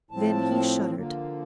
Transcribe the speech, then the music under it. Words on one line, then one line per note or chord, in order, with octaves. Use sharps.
Then he shuddered.
A2 F3 C4 A5
D3 F3 A#3